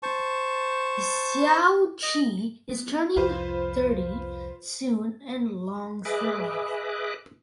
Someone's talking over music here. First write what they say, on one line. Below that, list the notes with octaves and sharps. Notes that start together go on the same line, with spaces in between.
Hsiao Chi is turning thirty soon and longs for love.
C5 A5 C#6
D#5
B3
C2 F2 F4 B4 C5
G#4 B4 D#5 E5 D6 F#6